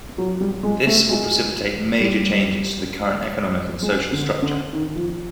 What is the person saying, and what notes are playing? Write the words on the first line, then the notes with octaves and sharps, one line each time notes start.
This will precipitate major changes to the current economic and social structure.
F#3
G3
G#3
A3
G#3
G3
G#3
D3
D3
D#3
F3